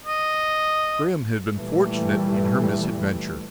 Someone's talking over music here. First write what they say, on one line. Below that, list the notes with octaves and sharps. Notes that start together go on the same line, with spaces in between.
Grim had been fortunate in her misadventure.
D#5
A#2 E3 G3 A3